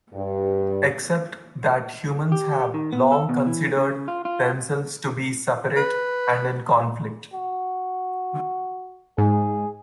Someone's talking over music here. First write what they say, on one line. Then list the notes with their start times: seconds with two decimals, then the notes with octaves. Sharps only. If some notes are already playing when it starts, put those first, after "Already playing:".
Except that humans have long-considered themselves to be separate and in conflict.
0.13 G2
2.32 G4
2.74 D#3
2.93 B3
3.12 A4
3.29 B2
3.46 E3
3.77 C#3
4.08 F4
4.25 F4
5.76 B4
7.33 F#4
9.18 G#2 G#4